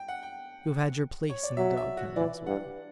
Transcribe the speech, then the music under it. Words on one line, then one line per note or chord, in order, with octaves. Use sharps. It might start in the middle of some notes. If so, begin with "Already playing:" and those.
You have had your place in the dog-kennel as well.
Already playing: G5
F#5
G5
C#5
D5
F#3 E5
E5
F#4
E3 D5
G2 F#5